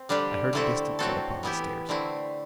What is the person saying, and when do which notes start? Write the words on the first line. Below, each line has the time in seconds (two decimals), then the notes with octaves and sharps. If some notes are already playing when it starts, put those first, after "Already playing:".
I heard a distant foot upon the stairs.
Already playing: C4
0.09 D3 G3 D4 G4
0.53 D3 A3 C4 E4 A4
0.99 A2 F#3 C4 F#4 A4
1.43 E3 B3 E4 G4
1.89 D3 A3 C4 E4